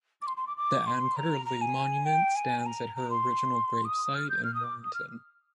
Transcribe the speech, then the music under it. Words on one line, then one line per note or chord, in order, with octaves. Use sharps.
The Anne Carter Lee Monument stands at her original gravesite in Warrenton.
D6
C6
C6
D6
D6
C6
A#5
A#5
G#5
G5
G#5
A#5
A#5
C6
D#6
F6
G6
F6
D#6
D6
D#6
F6